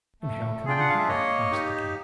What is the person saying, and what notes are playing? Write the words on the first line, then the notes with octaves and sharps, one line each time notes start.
"And how come you here?" asked the king.
A3
D4 F4 G#4 G5
F#5
F5
E5
A#3 C#5 D#5
D#4 G4